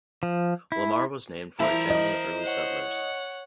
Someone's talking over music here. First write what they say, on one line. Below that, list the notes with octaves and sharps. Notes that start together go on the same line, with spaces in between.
Lamar was named for a family of early settlers.
F3
E4
G3 E4 A#4 C5 A5
D#5
C#5 F#5